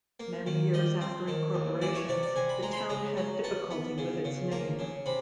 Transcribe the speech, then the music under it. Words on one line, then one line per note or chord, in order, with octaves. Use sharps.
Many years after incorporation, the town had difficulty with its name.
A#3
D#3
G3 D#5
C4
D#3
D#2
E3 D5
C#5
C3 D5
D5
C3 G#5
B5
G#3 A#5
C6
B5
C#3 A#5
F#3
B3 A5
B3
C#3
C#3
A#3 A#5
C#3
C3 B5